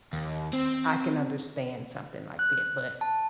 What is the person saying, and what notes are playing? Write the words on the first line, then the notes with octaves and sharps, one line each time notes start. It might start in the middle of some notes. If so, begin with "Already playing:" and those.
I can understand something like that, but
D#2
C4
F#6
A5